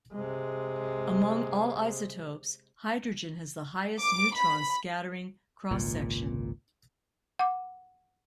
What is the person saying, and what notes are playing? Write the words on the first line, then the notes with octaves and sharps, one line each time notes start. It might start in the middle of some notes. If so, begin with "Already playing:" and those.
Among all isotopes, hydrogen has the highest neutron scattering cross section.
C3 G#3
D6
B5
G#1 C#2 A#2
F#5 D6